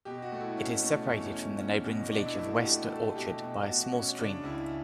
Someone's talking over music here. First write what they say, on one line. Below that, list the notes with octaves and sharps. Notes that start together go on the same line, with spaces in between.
It is separated from the neighbouring village of West Orchard by a small stream.
B2 G4
F#4
A3
E4
B2 C#4
A3
E2 C#4
C#4
C#4
B2
B2 D4
E4
A3 E4
F#4
A3 G4
A3 A4
B2 G4
B2
B2 F#4
C#4
C#3 D4
C#2 E4